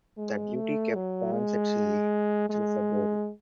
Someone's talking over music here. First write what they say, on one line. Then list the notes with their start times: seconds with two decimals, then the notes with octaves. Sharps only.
That duty kept "Ponce" at sea through February.
0.17 G#3
0.56 A3
0.95 F#3
1.33 G#3
2.50 G#3